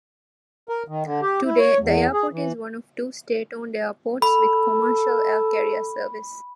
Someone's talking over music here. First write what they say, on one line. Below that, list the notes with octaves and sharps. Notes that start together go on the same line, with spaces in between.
Today, the airport is one of two state-owned airports with commercial air carrier service.
A#4
D#3
D3
G4
E4
C#5
E2
G#4
E3
A4 B5